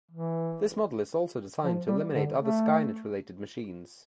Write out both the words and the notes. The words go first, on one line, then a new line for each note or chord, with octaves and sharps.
This model is also designed to eliminate other Skynet-related machines.
E3
F3
G3
D3
A3